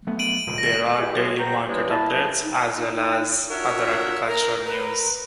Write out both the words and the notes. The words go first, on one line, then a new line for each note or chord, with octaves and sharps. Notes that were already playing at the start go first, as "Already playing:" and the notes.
There are daily market updates, as well as other agricultural news.
F#3 A3 B3
D7 D#7 F#7
D#1 C#2 A2
A#6
E3 G#3 E4 G4
A2 C#3 F#3 G#3 C#4 F#4
C2 B3 C5 G5 A#5
C#3 E3 G3 G#3 D4 G4
E4 A5
C#2 G2 F#3 D#5 G#5 A5
D#4
D4 F4 F#4 A#4 C#5 E5
A#4
A#4 B4